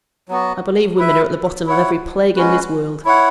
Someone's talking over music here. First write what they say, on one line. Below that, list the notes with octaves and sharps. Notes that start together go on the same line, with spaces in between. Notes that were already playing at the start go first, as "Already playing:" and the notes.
I believe women are at the bottom of every plague in this world.
F#3 B3 F#4
E4 B4 E5
E4 C#5 F#5
G#3 C#4 F#4 B4
E4 C#5 F#5